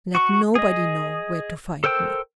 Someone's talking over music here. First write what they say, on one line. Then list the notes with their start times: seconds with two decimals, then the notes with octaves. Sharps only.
"Let nobody know where to find me."
0.15 F#4 C#6
0.55 G#4 D#5
1.84 A4 A#4 C5 G5 E6